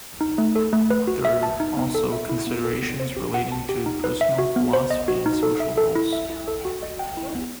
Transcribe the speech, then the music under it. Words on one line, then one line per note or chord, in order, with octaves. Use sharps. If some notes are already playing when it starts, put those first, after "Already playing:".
There are also considerations relating to personal philosophy and social roles.
D#4
A3
A4
A3
B4
F#4
E5
A5
D#4
B3
A4
E5
E4
B3
A4
B3
C5
G4
F#5
A5
G4
D#4
B4
E5
F#4
B3
C5
D#5
F#4
D#4
A4
E5
A4
E4
E5
E4
A4
F#4
D#5
G5
E4
B3